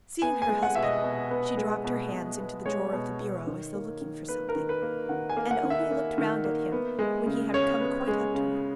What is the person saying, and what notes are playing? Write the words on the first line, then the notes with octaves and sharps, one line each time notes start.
Seeing her husband, she dropped her hands into the drawer of the bureau as though looking for something, and only looked round at him when he had come quite up to her.
B3 G#5
G#5
G#3
F#5
B2 E5
D#5
B2
B3
G#3
B2
B2
B3
G#3 C#5
B2
B2
D#3
A#3
D#3
A#3 B4
A#4
D#3
B4
A#3
D#3 F#5
G#5
A#3
F#5
D#3
E5
A#3
D#3
A#3
B3
G#3
C#3
C#3 C#5
B3
G#3
C#3